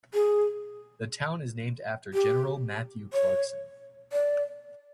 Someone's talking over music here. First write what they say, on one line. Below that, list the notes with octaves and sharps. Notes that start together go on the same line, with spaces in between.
The town is named after General Matthew Clarkson.
G#4
G4
C#5
D5